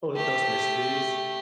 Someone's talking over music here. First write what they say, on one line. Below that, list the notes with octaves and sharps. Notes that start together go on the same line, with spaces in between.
all those mysteries.
A3 G4